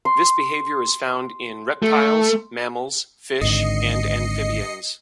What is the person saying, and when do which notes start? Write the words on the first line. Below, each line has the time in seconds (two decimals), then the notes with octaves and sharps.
This behaviour is found in reptiles, mammals, fish and amphibians.
0.05 C6
1.82 A3
3.41 G#1 G#2 D3 D#5 C7 C#7